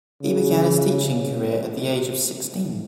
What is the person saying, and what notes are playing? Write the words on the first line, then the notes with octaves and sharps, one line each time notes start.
He began his teaching career at the age of sixteen.
C#3